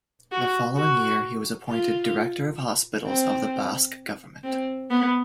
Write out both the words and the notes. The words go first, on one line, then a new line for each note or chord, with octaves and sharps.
The following year he was appointed Director of hospitals of the Basque Government.
F#4
F#4
F4
C4
C4
B3